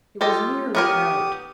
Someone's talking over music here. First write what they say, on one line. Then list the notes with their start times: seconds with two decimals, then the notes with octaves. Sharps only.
It was nearly out.
0.21 F4 G4 A4 D#5
0.75 B3 G4 A#4 C#5 D#6